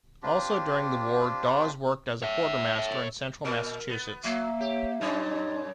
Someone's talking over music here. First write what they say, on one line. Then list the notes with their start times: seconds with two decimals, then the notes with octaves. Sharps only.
Also during the war, Dawes worked as a quartermaster in central Massachusetts.
0.23 C4 D4 F4 G4
2.22 C#5 E5
3.45 A#2 A#4
3.89 B3
4.24 F#3 A#3 E5
4.61 G4 C#5
5.01 F#2 A#2 G3 D#4 C#5